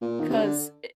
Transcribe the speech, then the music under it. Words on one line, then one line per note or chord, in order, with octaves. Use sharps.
'cause, eh,
A#2
D#3
C3
D3